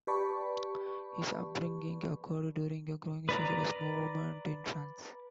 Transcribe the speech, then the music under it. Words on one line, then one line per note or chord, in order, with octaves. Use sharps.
His upbringing occurred during a growing socialist movement in France.
G4 B4 D5 A5 B5 C#6
B4 D5 A#5